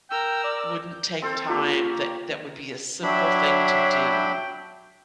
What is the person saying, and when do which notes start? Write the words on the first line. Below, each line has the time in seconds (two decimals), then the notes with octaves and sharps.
wouldn't take time that that would be a simple thing to do.
0.10 A#4 G5 E6
0.44 D5
0.91 G6
1.22 C4 A4 C5
1.49 A#3 F4 G4 C#6
3.03 F#3 D4 C#5 E5 G5 B5